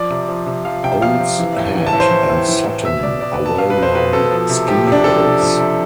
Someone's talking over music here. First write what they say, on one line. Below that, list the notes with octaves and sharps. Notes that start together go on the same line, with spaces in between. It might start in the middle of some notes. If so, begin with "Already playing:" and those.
Owl's Head and Sutton are well-known ski hills.
Already playing: F3 D5
C3
F3
C3
F3 F5
C3 G5
F3 F5
C3
E3
A2
E3
A5
A2
C5
E3
A2
E3
A2
B2 E5
B2 D5
B2 D5
B4
B2
A5
B2 F5
B4
B2
C5
B2 B4
B2 A4
F3
C3
F3 G4
C3 D4
F3 A4
C3
F3
C3